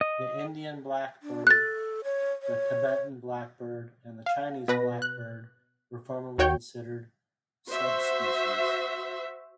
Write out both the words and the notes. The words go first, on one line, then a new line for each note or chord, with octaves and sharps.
The Indian blackbird, the Tibetan blackbird, and the Chinese blackbird were formerly considered subspecies.
D#5
D4
A4 F#6 A6
C#5
C#5
F5
B2 B4 A#6
F#6
D#2 F#4 C#5 G5 G6
F#4 C5 E5